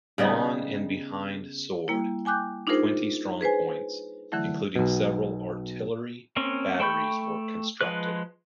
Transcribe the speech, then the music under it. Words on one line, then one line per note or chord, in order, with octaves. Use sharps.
On and behind Sword, twenty strongpoints, including several artillery batteries, were constructed.
C#3 G3 B3 D#4
G3 A#3 E4
G5 G#5 D6 F#6 G6
D4 D#4 F4 G#4 A#4 C5
G#4 B4 C5 G#5
D3 E3 F#3 A3 E4
B1 B2
A#3 C4 C#4
A3 G5 B5 C#6 G6
F3 G#3 B4 F#6